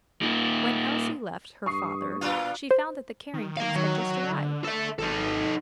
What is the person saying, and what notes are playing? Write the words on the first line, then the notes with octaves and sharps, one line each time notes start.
When Elsie left her father she found that the Carringtons had just arrived.
A#2 D#4
G2 C#6 D#6 C7
A#2 D4 F4 F5
C5
D#3
A#4 F5
F#3
D3
A4 E5
G#1 D#4 A4